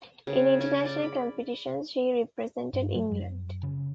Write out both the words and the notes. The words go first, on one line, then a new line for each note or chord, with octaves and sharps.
In international competition, she represented England.
C#3
C#4
D5
B5
G2
F#3
F#2
C#3